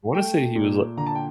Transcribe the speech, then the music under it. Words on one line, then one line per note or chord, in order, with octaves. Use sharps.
I wanna say he was li
A3 G5
A#2
D3 A#5
A5
G5